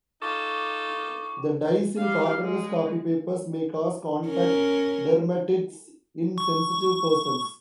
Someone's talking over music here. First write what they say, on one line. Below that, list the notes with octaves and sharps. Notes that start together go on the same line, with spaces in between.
The dyes in carbonless copy papers may cause contact dermatitis in sensitive persons.
D#4 F4 A4 C#6 D6
G3 F5
G#3
C#4 A#4
C#6